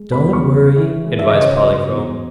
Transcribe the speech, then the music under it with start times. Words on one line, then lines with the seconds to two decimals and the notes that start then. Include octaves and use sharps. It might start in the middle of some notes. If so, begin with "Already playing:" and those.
"Don't worry," advised Polychrome.
Already playing: G#3
0.12 B5
0.19 E2
0.33 C#6
0.47 C#3
0.76 E3
1.05 G#3
1.19 E5
1.30 C#3 D#5
1.41 C#5
1.51 D#5
1.62 F#3
1.91 E2